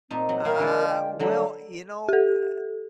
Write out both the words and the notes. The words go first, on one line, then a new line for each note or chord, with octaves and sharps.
Uh, well, you know, eh
A#2 C4 D#4
F#3
A#3 E4 A#4 F5
D3 G#3 F4
G5
D3 F#3 G3 A4
G4 A4